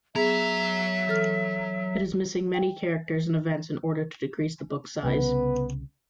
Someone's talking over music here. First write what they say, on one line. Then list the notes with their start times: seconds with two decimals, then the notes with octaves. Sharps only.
It is missing many characters and events in order to decrease the book's size.
0.15 F#3 B3 G#4 E5 A#5
1.08 E3 A4 F6
2.54 G5
5.03 C2 C#3 B3 B4